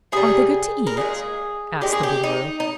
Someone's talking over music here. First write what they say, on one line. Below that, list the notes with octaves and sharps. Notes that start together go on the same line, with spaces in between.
"Are they good to eat?" asked the Boolooroo.
C3 G3 G#4
A#4
A#2 G#3 G#4
A#2 G#3 G4
G#4
G4
D#4
D#4